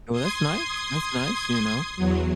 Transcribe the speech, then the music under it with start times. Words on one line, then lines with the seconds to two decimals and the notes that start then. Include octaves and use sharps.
Well, that's nice that's nice, you know,
0.12 C6 D#6 G#6
1.96 E2 F#3